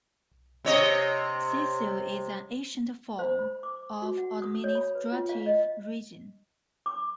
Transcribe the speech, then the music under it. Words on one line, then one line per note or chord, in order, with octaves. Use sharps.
Syssel is an ancient form of administrative region.
C3 C#5 D#5
C5
B5
D6
F#4
F#5
D#6
C#5
B5
B4
F4
F5
D#5
D6